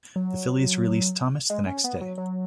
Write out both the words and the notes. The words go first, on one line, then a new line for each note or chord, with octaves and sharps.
The Phillies released Thomas the next day.
F#3
G#3
C#4
B3
F#3
F#3